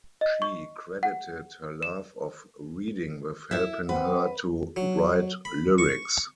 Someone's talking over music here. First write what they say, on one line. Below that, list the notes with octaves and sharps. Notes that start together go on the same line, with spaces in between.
She credited her love of reading with helping her to write lyrics.
D#5
C#6
F#5
E7
E4 E5
C4 B4 F#5
F#3
B5
C#6